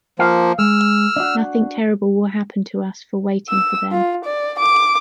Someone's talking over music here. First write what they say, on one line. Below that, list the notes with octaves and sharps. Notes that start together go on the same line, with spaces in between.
Nothing terrible will happen to us for waiting for them.
F3 A#3 F5
G#3 E6 F6
D4 F#4
E6
F4
D5
D6